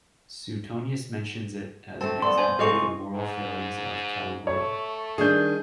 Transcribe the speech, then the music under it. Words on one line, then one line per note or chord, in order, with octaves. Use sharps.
Suetonius mentions it as an example of the moral failings of Caligula.
A3 C4 A5
A3 B3 D5 C6
C5 G#5
C3 G#3 G4 A4 D#5 F5 C#6
E4
G#2
A3 C#5
D#3 G3 D4 G#4 G6